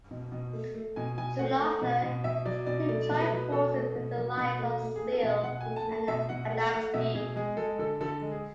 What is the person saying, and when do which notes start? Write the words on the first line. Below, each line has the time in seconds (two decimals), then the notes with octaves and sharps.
Soon after, he joined forces with the likes of Seal and Adamski.
0.11 B2
0.32 B2
0.53 A3
0.75 A3
0.96 B2 G#5
1.18 B2 G#5
1.39 A3 F#5
1.60 A3
1.81 B2
2.03 B2
2.24 B2 E5
2.45 F#3 D5
2.66 B2 D5
2.89 A3 D5
3.10 B2
3.20 B4
3.31 F#3
3.52 B2 A4
3.74 A3
3.95 B2
4.17 F#3
4.37 B2
4.59 A3
4.81 A3
4.96 G#4
5.02 A3
5.12 A4
5.23 B2
5.28 F#5
5.44 B2 F#5
5.61 A3 G#5
5.76 A5
5.87 A3 A5
6.08 B2 E5
6.29 B2 F#5
6.50 A3 F#5
6.73 A3 F#5
6.94 B2 E5
7.15 B2 G#4
7.36 G#3 G#4
7.57 G#3 A4
7.78 D3 A4
8.01 D3 A4
8.21 G#3
8.32 G#4